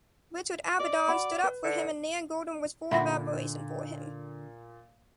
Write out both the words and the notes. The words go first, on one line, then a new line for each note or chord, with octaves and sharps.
Richard Avedon stood up for him and Nan Goldin was full of admiration for him.
D5 D#5
F#4 F#5 B5
B4
D3
A#2 D3 E5 F#5 B5 C6 A#6